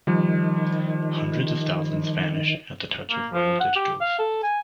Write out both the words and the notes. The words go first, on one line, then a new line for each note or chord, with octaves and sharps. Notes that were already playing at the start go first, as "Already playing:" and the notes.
Hundreds of thousands vanish at the touch of royal digitals.
D#3 F3 G3
A#3
F3
F#5
G4
F5
A4
G#5